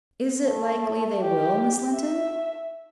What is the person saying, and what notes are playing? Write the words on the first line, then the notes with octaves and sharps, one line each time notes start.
"Is it likely they will, Miss Linton?"
A3
G4
E5